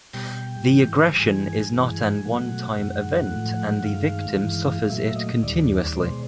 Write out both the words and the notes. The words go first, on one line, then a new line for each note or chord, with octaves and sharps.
The aggression is not an one-time event and the victim suffers it continuously.
B2 G3 G5
G#2 E3 G3
G2 E3 G#3 G#5
G2 E3 G#3
B2 F#3 A3 F#5
F#2 D#3 G#3
A2 F3 A3
F#5
G2 D#3 G#3 F5
G2 E3 G#3
A#2 F#3 A3 E5
D#5
D#2 D#3 G3 D5
B2 G#3 C5